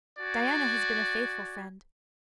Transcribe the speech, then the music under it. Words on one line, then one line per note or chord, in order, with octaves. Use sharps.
Diana has been a faithful friend.
F#4 D5 G#5